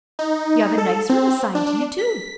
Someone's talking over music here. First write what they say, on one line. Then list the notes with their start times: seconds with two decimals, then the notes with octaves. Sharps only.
You have a nice room assigned to you, too.
0.19 D#4
0.78 A4
1.09 C4
1.55 D4
1.98 B6